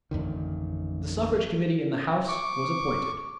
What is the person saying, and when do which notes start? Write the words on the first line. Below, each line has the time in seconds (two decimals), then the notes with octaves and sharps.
The Suffrage Committee in the House was appointed.
0.11 A1 F2 D3 D#3
2.28 C#6 D6